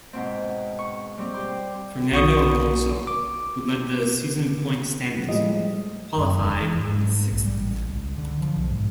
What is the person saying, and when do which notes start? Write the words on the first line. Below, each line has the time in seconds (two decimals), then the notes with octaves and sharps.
Fernando Alonso, who led the season point standings, qualified in sixth.
0.13 G#2 B2 C4
0.79 C#6
1.18 G3 C4
1.34 G4 C6
2.12 B1 F#4 C#6 D#6
3.07 D6
5.29 A2 F3 G3 G#3 D#5
6.18 F#2
6.37 E1
6.62 E3
6.78 G#2
7.31 A#1
7.45 G3
7.60 A1
7.89 C#2
8.18 D3
8.41 F3
8.56 B1
8.70 G#2